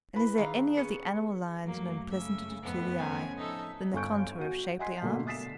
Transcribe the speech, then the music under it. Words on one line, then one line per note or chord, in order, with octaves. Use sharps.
And is there any of the animal lines known pleasanter to the eye than the contour of shapely arms?
E4 B4 B5
D#3 E3 G#4 F5
B3 C#4 C#7
F#2 F#3 A3 A#3
C#3 E5
F2 A2 B3
C#3 C4 C#4 G#5
F3 D#4 A4 E5
G1 A4 G#5 C#6 G6 D7
F#4 F#5 D#7
D#5 F#5 G#5 C6 B6 C7
B2 D3 A3 A#3
E5 D#6 A6 B6 C7 E7